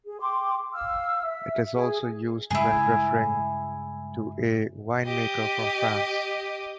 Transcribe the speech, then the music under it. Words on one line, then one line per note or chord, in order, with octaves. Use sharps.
It is also used when referring to a winemaker from France.
G#4
G5 C6 D6
F5 E6 F6
E5
G#4
G2 C#3 G#3 E4 G#4
G4 D#5